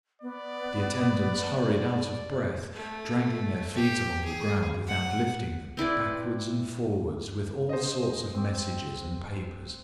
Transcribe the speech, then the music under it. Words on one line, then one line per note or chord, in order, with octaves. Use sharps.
The attendants hurried, out of breath, dragging their feet along the ground without lifting them, backwards and forwards, with all sorts of messages and papers.
B3 D5
A3
G4
G#4
F#5
C4 E4 B4 D5
C5 D#5
C4 D6